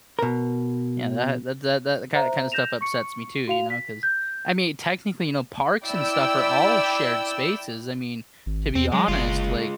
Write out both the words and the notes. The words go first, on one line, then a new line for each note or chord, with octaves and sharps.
Yeah, that that that that ki kinda stuff upsets me too, you know, 'cause I mean, technically, you know, parks and stuff are all shared spaces, I mean, to be honest, like,
B2 A#4
C5 E5 A#5
G6 A#6 E7 F7
C#6 C#7
F#4 F5 F7
B6
G6
E4 D5 G5 E6
G#1
E2 C4
F#3 G#3
F#1 G#3 F4